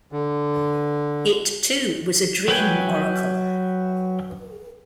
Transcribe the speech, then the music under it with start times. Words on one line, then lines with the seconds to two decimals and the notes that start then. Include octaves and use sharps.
It too was a dream oracle.
0.12 D3
2.48 F#3 B4 G5 G#5